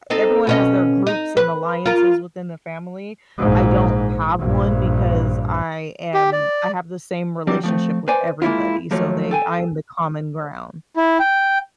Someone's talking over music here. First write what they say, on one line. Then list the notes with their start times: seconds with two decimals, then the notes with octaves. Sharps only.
everyone has their groups and alliances within the family, I don't have one because I am I have the same relationship with everybody, so they I'm the common ground.
0.10 C4 D#4 A4
0.47 B2 C#4 D#5
1.07 D#4
1.37 B4
1.86 F4 A#4
3.38 A#1 G#2
4.39 A#1 G2
6.14 G4
6.32 D5
7.47 F#3 G3 C4 D4
7.63 F3 A3 C4
8.08 B4 C5 D5 G#5
8.42 G#3 A#3 C4 E4 F4
8.91 D#2 F3 F#3 A3
9.31 A4 G5 G#5
10.97 E4
11.20 G5